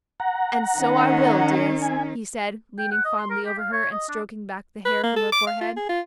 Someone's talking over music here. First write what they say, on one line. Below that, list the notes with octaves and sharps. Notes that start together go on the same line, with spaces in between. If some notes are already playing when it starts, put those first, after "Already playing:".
"And so I will, dearest," he said, leaning fondly over her, and stroking back the hair from her forehead.
F#5 A#5
D#3 C#4
G#5
G5
F#5
D#5
C6
A#4
G4
F5
C#5
D#5
D4
B4
A#3
A4
D6
F5
F4
G#4
F4